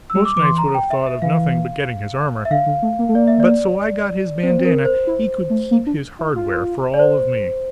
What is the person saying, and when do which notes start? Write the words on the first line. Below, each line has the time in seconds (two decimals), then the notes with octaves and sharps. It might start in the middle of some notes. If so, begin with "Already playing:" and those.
Most knights would have thought of nothing but getting his armor; but so I got his bandanna, he could keep his hardware, for all of me.
0.10 E6
0.15 G3
0.25 D6
0.37 E3 D6
0.42 C6
0.58 A#5
0.75 G5
0.90 E5
1.06 E5
1.22 E3 F5
2.45 E5
2.50 D3 F5
2.66 D3
2.82 A3
2.99 A#3
3.09 A3
3.15 A#3 D5
3.28 E5
3.40 D5
4.43 C4 C5
4.51 A#3
4.59 C4
4.65 A#4
4.85 C5
5.07 E4
5.50 A3
5.71 A#3
5.87 D4
6.19 E4
6.36 F4
6.94 D5
6.99 C5